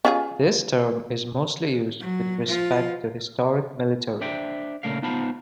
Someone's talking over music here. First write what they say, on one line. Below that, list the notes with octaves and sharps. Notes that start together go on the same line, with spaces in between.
This term is mostly used with respect to historic militaries.
C#4 F4 G#4
F#3
F3 F4
D4 C5 E5 G5
A#2 C#3 A3 A#4 F5
B3 D#4 F4 C5 A5 B5